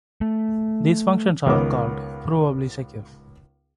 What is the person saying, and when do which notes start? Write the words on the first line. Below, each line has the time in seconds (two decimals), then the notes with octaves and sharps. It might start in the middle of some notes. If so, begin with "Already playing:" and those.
Those functions are called provably secure.
0.21 A3
1.46 C#2 D#3 B3 C#5 D6